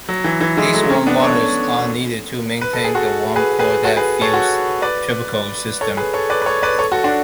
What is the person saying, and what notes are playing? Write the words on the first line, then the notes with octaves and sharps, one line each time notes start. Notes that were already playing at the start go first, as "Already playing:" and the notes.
These warm waters are needed to maintain the warm core that fuels tropical systems.
F#3
E3
E3
E3 G#3
F#3 A3
A3 C#4
B3 D4
A4 C#5
B4
A4
G#4
F#4 A4
G#4 B4
G#4 B4
F#4 A4
G#4 B4
A4 C#5
F#4 A4
B4 D5
A4 C#5
G#4 B4
A4 C#5
B4 D5
B4
A4 C#5
B4 D5
A4 C#5
F#4 A4
D4 F#4